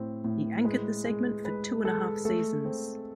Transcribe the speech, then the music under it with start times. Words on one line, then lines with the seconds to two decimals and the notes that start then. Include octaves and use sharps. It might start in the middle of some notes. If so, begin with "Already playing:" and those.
He anchored the segment for two-and-a-half seasons.
Already playing: A2 C4
0.24 A2
0.65 G#3 B4
1.05 G#3
1.45 G#3 B4
1.84 G#3 A4
2.25 A3 A4
2.65 C4